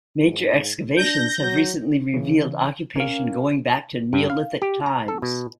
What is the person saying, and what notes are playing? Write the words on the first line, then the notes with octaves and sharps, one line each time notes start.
Major excavations have recently revealed occupation going back to Neolithic times.
G#2
D4 G6 A#6
F#3
C#3 E3
C#4 A#4 F5
G2
F5
G4
A#5
A4
B2